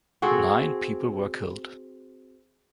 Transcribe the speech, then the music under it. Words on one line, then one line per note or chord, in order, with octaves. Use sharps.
Nine people were killed.
C4 F#4 G#4 A4